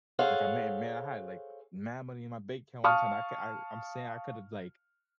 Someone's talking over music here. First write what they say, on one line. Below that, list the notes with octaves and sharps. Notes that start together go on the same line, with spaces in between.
like, I may may have, like, mad money in my bank account one time, I ca I I'm saying I could have, like,
G#4 A4 C5 C#5 F5 F#5
F5 A5 C#6 D#6 F6